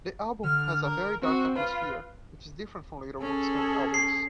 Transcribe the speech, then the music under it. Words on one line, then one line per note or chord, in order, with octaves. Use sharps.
The album has a very dark atmosphere, which is different from later Wumpscut albums.
D3 F6
A#4
C4 F#4
F4 B4
C#4 G#4 A4
C7